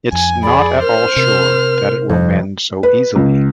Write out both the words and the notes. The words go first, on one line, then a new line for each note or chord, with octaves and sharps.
It’s not at all sure that it will mend so easily.
F2 G#5
G#4 D5 B5
A#4 C5 F6
C3 A#4
F2
B4
C#2